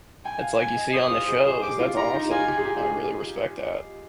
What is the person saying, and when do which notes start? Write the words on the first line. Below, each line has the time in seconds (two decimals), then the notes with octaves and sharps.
that's like you see on the shows, that's awesome. I really respect that.
0.25 G5 G#5
0.42 F5
0.60 G#5
0.76 D#5
0.94 C5 D#6
1.11 F4
1.28 G#4
1.45 G#4
1.62 G4 D6
1.80 F4
1.97 F4 A#5
2.14 D#4
2.31 F4 G#5
2.48 G4
2.58 G#4
2.65 G4
2.83 G#4